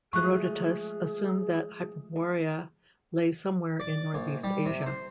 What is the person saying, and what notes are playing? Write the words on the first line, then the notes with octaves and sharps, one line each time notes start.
Herodotus assumed that Hyperborea lay somewhere in Northeast Asia.
F3 G#3 A3 G#4 C#6 F#6
D5
A#1
G3
C3
C5